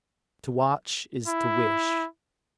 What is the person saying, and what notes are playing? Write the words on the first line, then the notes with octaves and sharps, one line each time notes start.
To watch is to wish.
E4